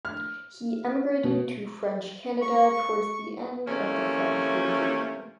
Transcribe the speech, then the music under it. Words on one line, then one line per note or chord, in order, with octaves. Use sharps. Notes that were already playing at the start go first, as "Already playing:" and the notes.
He emigrated to French Canada towards the end of the French Regime.
F6
B2
C#6
C3 E3 A3 A#3 C#4